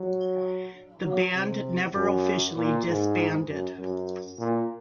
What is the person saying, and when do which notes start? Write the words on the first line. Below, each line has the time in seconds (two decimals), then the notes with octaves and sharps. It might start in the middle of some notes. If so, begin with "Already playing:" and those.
The band never officially disbanded.
Already playing: F#3
1.04 F#3
1.35 C3
1.95 F#2
2.56 A#2
2.87 G#2
3.47 F#2
3.78 F#2
4.39 A#2